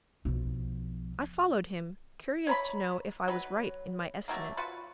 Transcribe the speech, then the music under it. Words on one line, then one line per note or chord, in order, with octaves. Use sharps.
I followed him, curious to know if I was right in my estimate.
B1 F3
C#5 A#5 B5
F#3 B4
F#3 A3 A#3
F4 F#4 B4